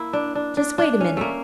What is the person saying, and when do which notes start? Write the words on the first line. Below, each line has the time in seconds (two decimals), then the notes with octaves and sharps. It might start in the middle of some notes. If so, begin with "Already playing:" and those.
"Just wait a minute."
Already playing: A#3 E4
0.13 D4
0.35 D4
0.57 D4
0.78 D4
1.00 C#4
1.17 A3 A#3